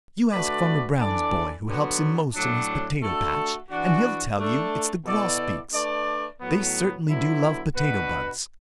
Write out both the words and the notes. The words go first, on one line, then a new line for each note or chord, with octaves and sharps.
You ask Farmer Brown's boy who helps him most in his potato patch, and he'll tell you it's the Grosbeaks. They certainly do love potato bugs.
D3 A3 F#4 B4 D5
E3 D4 A4 D5
D3 F#3 B3 F#4
A2 F#3 D4
A3 D4 F#4 A4
E3 D4 F#4
A3 D4 A4
B2 B3 E4 A4 D5
A3 D4 B4 D5
A2 F#3 B3
D3 F#3 B3 E4
B2 B3 D4 F#4 B4